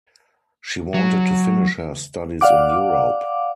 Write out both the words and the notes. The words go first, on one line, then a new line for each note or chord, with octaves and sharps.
She wanted to finish her studies in Europe.
F#3
D5 F5 F#5 D6